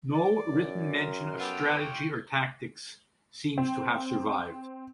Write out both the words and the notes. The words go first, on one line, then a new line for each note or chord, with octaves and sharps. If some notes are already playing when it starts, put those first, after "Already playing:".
No written mention of strategy or tactics seems to have survived.
D5 D6
F#2
A#4 C6
B3 F4 G4 A4 B4
G5 C#6
C4